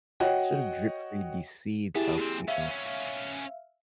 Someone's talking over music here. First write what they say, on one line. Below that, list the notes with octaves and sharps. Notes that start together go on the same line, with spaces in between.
sort of drip-feed these seeds of, you know,
F#4 C#5 D#5 F#5 G5
B3 E4 G4 G#4 A5
A#2 C4
B3 C#4 E5 F5